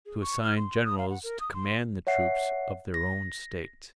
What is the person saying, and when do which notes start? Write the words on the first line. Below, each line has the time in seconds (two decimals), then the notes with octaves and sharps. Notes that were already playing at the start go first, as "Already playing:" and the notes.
To assign generals to command the troops of their own State.
0.06 G#4
0.21 C#6
0.44 F6
0.57 C6
0.85 D#6
0.98 F5
1.10 F#5
1.24 A#4
1.40 D#6
1.54 C6
2.07 C#5 E5 F#5 C7
2.94 A#6